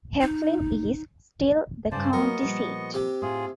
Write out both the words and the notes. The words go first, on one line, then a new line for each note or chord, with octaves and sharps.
Heflin is still the county seat.
D#4
G2 C#3 C5 D5 A5
F#3 A#3 B3 A#4 D#5 C#6
A#2 F3 G3
C3 G4
A2 F4 G#4